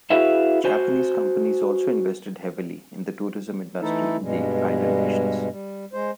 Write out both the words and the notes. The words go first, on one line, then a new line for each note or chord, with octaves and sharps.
Japanese companies also invested heavily in the tourism industry in the island nations.
E4 F#4 G#4 B4 E5 F5
F#4 C5 G#5
E3 A3 D#4 E4 A4
G2 B2 G3 G#3
G3
G#3 C5